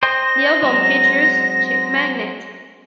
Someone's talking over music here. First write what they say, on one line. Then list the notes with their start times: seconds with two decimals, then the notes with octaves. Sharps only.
The album features "Chick Magnet".
0.03 C5 D#5 G5 A#6
0.63 F#3 G#3 C4